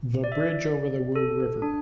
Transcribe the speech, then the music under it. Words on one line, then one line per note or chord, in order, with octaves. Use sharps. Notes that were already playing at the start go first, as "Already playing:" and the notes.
The bridge over the Wu River.
D5
E5
D5
A4
D4